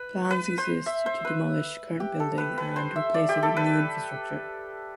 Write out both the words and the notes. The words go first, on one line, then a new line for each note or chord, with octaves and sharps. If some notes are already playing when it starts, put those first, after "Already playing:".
Plans exist to demolish current building and replace it with new infrastructure.
Already playing: B4
B4
C5
E5
C5
B4
G4
A4
B4
B4
C5
E5
D5
G4
A4
B4